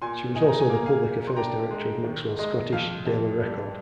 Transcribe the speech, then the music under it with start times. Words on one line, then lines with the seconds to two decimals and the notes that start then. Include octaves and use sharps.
She was also the public affairs director of Maxwell's Scottish "Daily Record".
0.02 A#2 G#5 C6
0.35 D#4 G#5
0.48 A#5
0.60 G#5
0.69 A#3 A#5
0.86 F5 G#5
1.04 A#2
1.27 C6
1.36 D4 G5 A#5
1.71 G#3
2.04 D#3
2.39 G#3 D#5
2.72 F2 F5
3.06 F2
3.40 G3